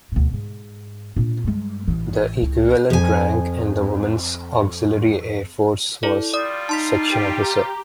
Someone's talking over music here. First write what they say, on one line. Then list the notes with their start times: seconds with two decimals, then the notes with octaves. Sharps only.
The equivalent rank in the Women's Auxiliary Air Force was "section officer".
0.12 D2 B2
0.33 G#2
1.16 A#2 D4
1.44 G2 G#3
1.88 A1 E3
2.42 C#2 E4
2.90 F2 G#5
6.03 E4 A4 D5
6.33 G3 A#3 F4 D5 D#6
6.69 D#4 A5 C6 B6
7.10 G4
7.41 A#5